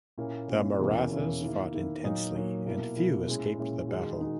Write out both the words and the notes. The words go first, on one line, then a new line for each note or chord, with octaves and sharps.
The Marathas fought intensely and few escaped the battle.
A#2 A#3 C#4 E4
A#2 A#3 C#4 E4
E2 B2 A#3 C#4 E4
E2 B2 A#3 C#4 E4
D#3 A#3 E4
D#3 A#3 E4
A#2 F#3 A#3 D#4
A#2 F#3 A#3 D#4
B2 A#3 E4
B2 A#3 E4
A#2 G#3 C#4 E4
A#2 G#3 C#4 E4
D#3 G#3 D#4 F#4
D#3 G#3 D#4 F#4